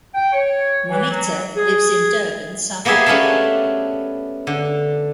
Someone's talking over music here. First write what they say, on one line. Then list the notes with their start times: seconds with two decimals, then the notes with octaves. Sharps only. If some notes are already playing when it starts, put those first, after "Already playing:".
Moneta lives in Durban, South Africa.
0.15 G5
0.32 C#5
0.88 E3
1.10 F#3
1.56 G#4
2.85 A#3 B3 G4 G#4 E5
3.06 A3 B3 C#4 D4 A4 A5
4.47 D3